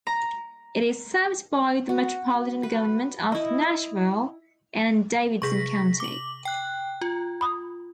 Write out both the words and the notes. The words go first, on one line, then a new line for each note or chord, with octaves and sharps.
It is served by the Metropolitan Government of Nashville and Davidson County.
A#5
F#4
B4
E4 D#5
C3 G#4 C#6 A#6 B6
D6 F#7
G5 F#6
F4
B5 D#6